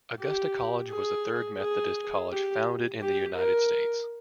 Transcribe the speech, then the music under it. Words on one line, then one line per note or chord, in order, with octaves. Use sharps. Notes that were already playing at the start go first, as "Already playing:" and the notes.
Augusta College was the third Methodist college founded in the United States.
G4
G#4
G#4
G4
G4
A#4